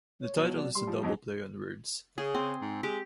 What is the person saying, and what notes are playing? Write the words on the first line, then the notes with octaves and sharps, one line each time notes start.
The title is a double play on words.
C#5
B2 F#3
D5
G3 C6
F3
F2 F#3 D#4
C#3 G#4
C4
G#2
G#3 G4